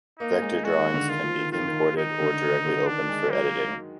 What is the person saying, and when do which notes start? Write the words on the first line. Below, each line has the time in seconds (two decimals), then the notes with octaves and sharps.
Vector drawings can be imported or directly opened for editing.
0.19 A#3 D#4
0.31 A#3
0.42 G#3
0.53 G#3
0.64 G#3 F#4
0.79 D#3
0.94 D3
1.09 D#3 F4
1.24 F3
1.39 D#3
1.53 D#3 F4
1.68 D#3
1.97 D#3 D#4
2.20 D3
2.42 D#3
2.65 D3
2.86 D#3 D4
3.09 G#3
3.31 F#3 A#3